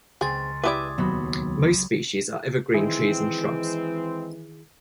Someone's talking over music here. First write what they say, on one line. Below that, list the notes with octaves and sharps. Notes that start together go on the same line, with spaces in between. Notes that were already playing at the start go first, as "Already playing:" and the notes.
Most species are evergreen trees and shrubs.
C#2 C4 G#4 C6 A6
E4 G4 B4 D5 E5 D6 D#6 G#6
D#2 B2 F#3 B5
D#3 E3 G#3 C4 E4 G#4